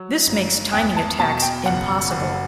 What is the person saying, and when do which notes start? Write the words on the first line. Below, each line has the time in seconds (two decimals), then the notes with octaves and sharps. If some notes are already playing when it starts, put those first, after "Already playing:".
This makes timing attacks impossible.
Already playing: F#3
0.27 G1
0.73 E2 G5
0.97 A5
1.20 B2 A5
1.42 G5
1.66 F#1 F#5
2.12 F#1